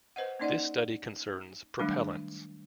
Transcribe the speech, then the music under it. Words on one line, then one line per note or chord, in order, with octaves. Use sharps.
This study concerns "Propellants".
B4 C5 D#5 F#5
A#3 C#4 D#4 D5 D#5 F#5
D#3 F#3 G3 A3 D4